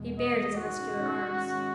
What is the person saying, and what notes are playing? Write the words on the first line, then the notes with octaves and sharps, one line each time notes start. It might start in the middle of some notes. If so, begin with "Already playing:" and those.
He bared his muscular arms.
Already playing: E2 B2 G#3
D#5
G#2 D#3 G#3 C#4 F#4